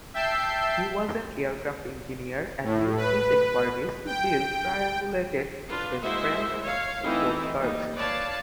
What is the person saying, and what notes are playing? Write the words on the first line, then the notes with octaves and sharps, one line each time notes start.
He was an aircraft engineer and used his expertise to build triangulated spaceframed sportscars.
E5 G5 A5 E6 G6 C7
A2
B4
G5
D4 F4 B4
G#3 A#3 E4 F#4 C5 E5
C#5 F5
E3 A3 C4 D#4 E4
G3 A#3 D#4
B4 C#5 D5 F5 A5